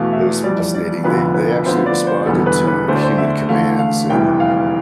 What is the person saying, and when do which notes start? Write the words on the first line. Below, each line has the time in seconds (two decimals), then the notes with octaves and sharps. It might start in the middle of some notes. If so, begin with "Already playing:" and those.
that was fascinating. They they actually responded to human commands, and
Already playing: E2 B2 A3 F5
0.13 E5
0.44 F2 E3 G3 D5
0.74 D5
1.04 F1 F2 D3 F3 B3 B4
1.34 B4
1.65 D2 D3 F3 B3 C5
1.86 D5
2.07 C5
2.26 E1 E2 D3 G3 B3 A4
2.46 B4
2.67 B4
2.88 D2 D3 A3 C5
2.96 D5
3.03 C5
3.18 E5
3.49 E2 D3 A3 F5
3.79 F5
4.10 F1 E2 C3 E3 G3 G5
4.40 F5